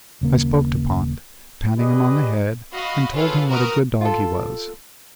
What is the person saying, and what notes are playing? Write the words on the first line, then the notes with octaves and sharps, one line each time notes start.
I spoke to Pont, patting him on the head and told him what a good dog he was.
D#1 C#3 A#3
G4 G#4 B4 D5 D#5
F#4 D#5 F5 B5
F4 G#4 A4 B4 C#5 F5
F#4 A#4 B4 D#6 F6
F4 A4